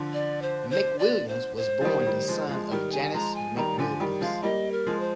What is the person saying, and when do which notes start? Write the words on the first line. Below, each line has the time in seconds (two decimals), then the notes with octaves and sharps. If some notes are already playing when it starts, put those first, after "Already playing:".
McWilliams was born the son of Janice McWilliams.
Already playing: D3 F3
0.13 D5
0.42 C5
0.70 C5
0.99 D5
1.28 C5
1.57 C5
1.81 F3
1.85 D#3 G3
2.07 D#3 G3
2.28 F3 G#3
2.49 F3 G#3
2.71 D#3 G3 A#4
2.92 G#5
3.14 F3 G#3 A#5
3.35 G#5
3.57 D#3 G3 A#5
3.78 D3 F3 G#5
4.00 D#3 G3
4.21 F3 G#3 F5
4.43 G3 A#3 D#5
4.72 A#4
4.86 F3 G#3
5.00 C5